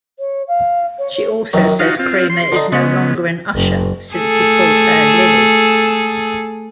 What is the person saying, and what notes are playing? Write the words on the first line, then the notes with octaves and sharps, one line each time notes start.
She also says Kramer is no longer an usher since he called her "Lily".
C#5
F5
C#5
C#5
F#2 D#3 F#3
D#4 F4 F#4 F5
C4 F4
C6
D3 D4 D#4
C#3 G#3 B3 C#6
F#1
A3 G#4 A4